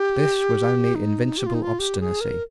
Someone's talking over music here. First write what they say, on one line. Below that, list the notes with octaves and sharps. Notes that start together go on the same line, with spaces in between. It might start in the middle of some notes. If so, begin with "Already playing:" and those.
This was only invincible obstinacy.
Already playing: G4
D#4
G4
F4
D#4
F4
G4
G#4
A#4